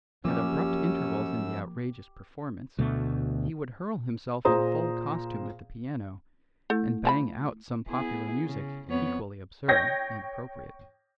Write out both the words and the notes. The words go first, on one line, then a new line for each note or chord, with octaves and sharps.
At abrupt intervals in the outrageous performance he would hurl himself in full costume at the piano and bang out some popular music equally absurd and appropriate.
F#2 F3 A#3 C#4 G4 D6 E6
D2 B2 A3
A#2 G#4 C5 A#5 D#6
A3 E4 A4
F3 A5 B5
B3 E4 G#4
C#3
F2 B3 C#5
C#5 G5 G6 G#6 A#6